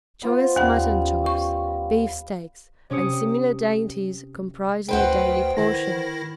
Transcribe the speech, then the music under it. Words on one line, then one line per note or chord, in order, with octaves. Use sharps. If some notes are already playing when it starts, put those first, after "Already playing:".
Choice mutton-chops, beef-steaks and similar dainties comprise their daily portion.
B3 F4 C5
D#2 G3 C#4 F5 F#5
C#6
C3 C#4 G4 D#6 C#7
D2 B4 C5 F#5 G5
D#3 E4 A#6